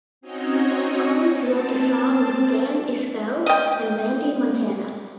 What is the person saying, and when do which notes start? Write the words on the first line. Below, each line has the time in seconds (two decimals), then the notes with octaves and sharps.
Combs wrote the song with Dan Isbell and Randy Montana.
0.21 C4 C#4 D#4 F#4 C#5 D#5
1.33 C4 A5
3.46 D#5 G5